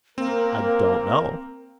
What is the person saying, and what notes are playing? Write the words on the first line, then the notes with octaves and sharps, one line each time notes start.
"I don't know."
A#3 C4 A#4